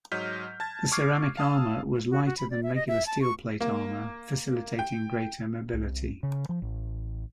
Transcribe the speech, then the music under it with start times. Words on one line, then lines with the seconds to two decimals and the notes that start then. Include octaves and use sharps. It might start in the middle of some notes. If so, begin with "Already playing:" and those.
The ceramic armor was lighter than regular steel plate armor facilitating greater mobility.
0.12 G#2 F#3 D#5 F6 G6 B6
0.60 A5 G#6 A6
0.92 C#6 D6 F6 G#6 C7
1.37 F5 A5 D#6 E6
2.10 F#4
2.26 F#4
2.38 B5
2.51 D5
2.63 E5
2.75 D#5
2.88 E5
3.07 A5
3.22 C#6
3.61 A#3
4.79 G5
5.74 C2
6.23 C#3
6.49 F3
6.62 A1